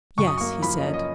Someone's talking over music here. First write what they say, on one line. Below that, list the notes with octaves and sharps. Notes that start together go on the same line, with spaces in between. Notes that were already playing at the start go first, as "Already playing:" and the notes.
"Yes," he said.
F#2 C#6
D#6
C#6
A#3
F3 B5
D#5
C#4
D#5